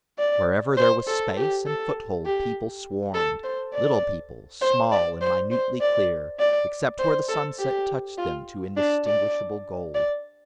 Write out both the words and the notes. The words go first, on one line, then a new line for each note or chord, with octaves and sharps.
Wherever there was space and foothold, people swarmed, little people, small and minutely clear, except where the sunset touched them to indistinguishable gold.
D5
C5
A4
G4
A4
G4
A4
C5
D5
C5
D5
C5
C5
D5
D5
C5
A4
G4
F4
D4
D5
D5